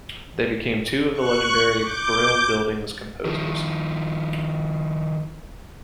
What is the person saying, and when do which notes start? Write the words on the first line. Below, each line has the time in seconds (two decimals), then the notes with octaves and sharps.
They became two of the legendary Brill Building's composers.
1.12 C#6 F#6
1.80 D6 G6
3.25 D#3 F3